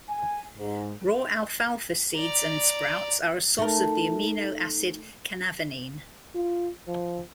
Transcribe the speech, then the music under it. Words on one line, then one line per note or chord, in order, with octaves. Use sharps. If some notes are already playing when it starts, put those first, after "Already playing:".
Raw alfalfa seeds and sprouts are a source of the amino acid canavanine.
G#5
G#2
D5 A#5
A3 D#4 A#4
F4
F3